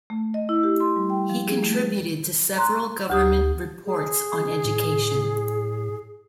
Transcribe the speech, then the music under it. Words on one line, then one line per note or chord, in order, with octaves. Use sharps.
He contributed to several government reports on education.
A3
D#5
E4
G4
C6
G3
G5
F3
G#4
A3
B4
A#5 C6 F#6
D2 G4 D#6
G#4
A2